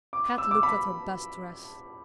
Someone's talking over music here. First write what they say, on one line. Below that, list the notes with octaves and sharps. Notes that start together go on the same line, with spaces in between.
Kat looked at her best dress.
D6
E6
D6
B5